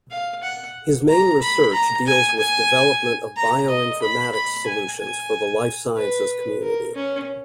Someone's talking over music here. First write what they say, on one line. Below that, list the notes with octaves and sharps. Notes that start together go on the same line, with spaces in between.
His main research deals with development of bioinformatics solutions for the Life Sciences community.
F5
F#5
A#5
B5
A#5
G#5
G#5
A#5
D#5
B5
B5
G#5
G#5
B4
A#4
C#4